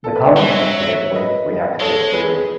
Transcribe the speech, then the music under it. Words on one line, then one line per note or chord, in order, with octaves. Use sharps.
The Comintern, predictably, reacted with fury.
A4
B4
C#5
E3 D#5
F#3 C#5 E5
C#5 E5
B4 D#5
G#3 A4 C#5
G#4 B4